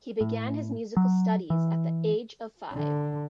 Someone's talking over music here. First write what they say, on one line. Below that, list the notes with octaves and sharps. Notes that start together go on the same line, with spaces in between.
He began his musical studies at the age of five.
A2
F#3
E3
D3